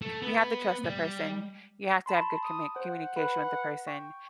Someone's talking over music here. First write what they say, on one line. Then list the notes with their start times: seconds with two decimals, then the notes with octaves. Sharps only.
You have to trust the person. You have to have good commit communication with the person,
0.02 A3
0.22 B3
0.85 G3
2.06 A5 B5 C6
2.43 D#6
2.76 C5 F#5
3.16 B4 B5
3.87 G5 C#6